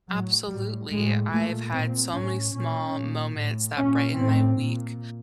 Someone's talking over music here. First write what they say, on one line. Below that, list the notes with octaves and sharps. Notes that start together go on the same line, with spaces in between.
Absolutely, I've had so many small moments that brighten my week.
A2 F#3
A2 G3
A2 G#3
A#2 A3
A#2 C4
A2 C#4
A#2 C#4
A#2
A2
A#2 C#4
A2 C4
A#2